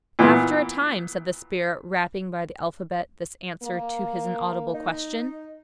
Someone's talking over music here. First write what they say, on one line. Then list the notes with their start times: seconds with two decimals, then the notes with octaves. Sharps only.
"After a time," said the spirit, rapping by the alphabet this answer to his inaudible question.
0.19 A#2 E3 B3
3.63 A#3
4.74 D#4